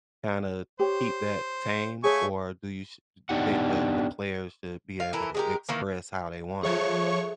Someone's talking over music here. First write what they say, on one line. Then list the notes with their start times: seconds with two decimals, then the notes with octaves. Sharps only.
kinda keep that tame, or do you sh d think that the players should be able to express how they want?
0.79 G4 C5 C#5
2.04 A3 G#4 C#5 F5 G#5 C#6
3.29 B3 D4 D#4 G4 F#5
5.00 F5
5.13 E3 E4 A4 A#4
5.35 G#3 G4 A#4
5.69 D#3 E3 A#3
6.63 F3 G#4 A4 C#5 E5 C#6